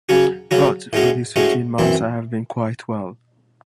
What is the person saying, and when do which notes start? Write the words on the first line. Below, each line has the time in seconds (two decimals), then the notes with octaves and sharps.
But for these fifteen months I have been quite well.
0.09 C#3 F#3 C#4 F#4
0.51 C#3 F#3 C#4 F#4
0.93 A2 G#3 C#4 F#4
1.36 A2 G#3 C#4 F#4
1.78 F#2 E3 C4